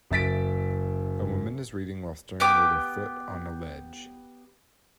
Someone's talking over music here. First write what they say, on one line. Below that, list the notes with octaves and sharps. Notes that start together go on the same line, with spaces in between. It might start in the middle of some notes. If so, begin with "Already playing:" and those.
A woman is reading while stirring with her foot on a ledge.
F#1 E5 A6 B6 D7
B3 G4 D6